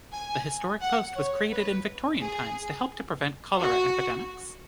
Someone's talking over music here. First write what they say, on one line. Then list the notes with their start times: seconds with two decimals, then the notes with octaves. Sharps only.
The historic post was created in Victorian times to help to prevent cholera epidemics.
0.13 G#5
0.81 F#5
1.16 C#5
1.51 B4
2.20 G#4
3.58 F#4